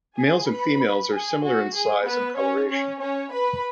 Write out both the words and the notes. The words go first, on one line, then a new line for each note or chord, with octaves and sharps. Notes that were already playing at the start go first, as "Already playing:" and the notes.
Males and females are similar in size and colouration.
G#4 G#5
B4 B5
G#4 G#5
F#4
G#4
B3 B4
C#4 C#5
C#4 C#5
C#4 C#5
B4 B5